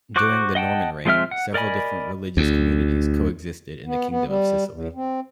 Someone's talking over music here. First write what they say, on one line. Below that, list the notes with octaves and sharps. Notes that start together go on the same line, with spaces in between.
During the Norman reign, several different religious communities coexisted in the Kingdom of Sicily.
F#4 C5 C#6 D6 F#6
D#5 F#5 G5 A5
F3 G#3 C4 E5 F6
F#5
A#4 D5 D#5 G#5 B5
D2
B3
B3
G3
E2
C4